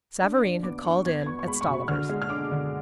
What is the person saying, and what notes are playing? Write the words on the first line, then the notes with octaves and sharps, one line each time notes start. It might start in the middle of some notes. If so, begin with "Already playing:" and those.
Savareen had called in at Stollivers.
D4
D4
B3 D6
D4 C#6
B3 G#6
B3 C#6
C#6
G#3 B5
C#6
B2
D3 F6
G#3
F6
D4 D6
D3